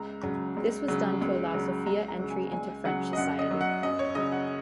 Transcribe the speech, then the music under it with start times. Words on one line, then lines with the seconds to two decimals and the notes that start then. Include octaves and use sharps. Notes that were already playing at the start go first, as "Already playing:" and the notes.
This was done to allow Sophia entry into French society.
Already playing: C#2 A#5
0.23 C#3 F#3
0.57 C#2
0.88 C#3 F#3
1.21 C#2
1.54 C#3 F#3
1.87 C#2 A#5
2.08 A#5
2.19 C#3 F#3
2.30 G#5
2.52 C#2 G#5
2.84 C#3 F#3 F#5
3.13 D#5
3.17 F#2 F#5
3.39 D#5
3.51 F#3
3.61 F#5
3.83 F#2 D#5
3.99 C#5
4.15 C#3 F#3 D#5
4.32 F#5